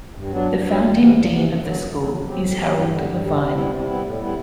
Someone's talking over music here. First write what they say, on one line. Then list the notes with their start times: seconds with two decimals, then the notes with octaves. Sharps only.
The founding dean of the school is Harold Levine.
0.15 G2
0.31 F#3 B3 D4
0.47 G2
0.64 F#3 B3 D4
0.80 E2
0.96 C3 E3 B3
1.12 E2
1.28 C3 E3 B3
1.44 F#2
1.60 D3 F#3
1.77 F#2
1.92 D3 F#3
2.09 A2
2.25 F#3 C4 G4
2.41 A2
2.57 F#3 C4 G4
2.73 G2
2.89 D3 G3
3.06 G2
3.22 D3 G3
3.38 C3
3.54 G3 B3 E4
3.70 C3
3.86 G3 B3 E4
4.02 A2
4.19 G3 B3 E4